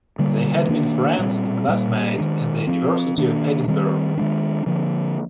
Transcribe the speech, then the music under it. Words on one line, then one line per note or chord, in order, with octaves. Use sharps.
They had been friends and classmate at the University of Edinburgh.
D3 G3 A#3
D#3 A#3 D4
A#2 G3 C4
A#2 G3 A#3
D#3 G#3 D4
F3 C4
D#3 A#3 D4
D#3 G3 C4
D#3 G#3 D4
D3 F3 A#3 D4